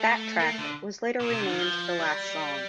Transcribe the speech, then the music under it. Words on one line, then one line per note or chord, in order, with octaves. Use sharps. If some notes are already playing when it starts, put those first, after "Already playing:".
That track was later renamed "The Last Song".
Already playing: A3
A#3
A3
D3
A#2
C3
D3
D#3
F3
G3